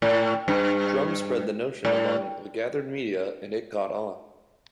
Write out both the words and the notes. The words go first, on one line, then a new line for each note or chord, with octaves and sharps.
Drum spread the notion among the gathered media and it caught on.
A2
G2
A2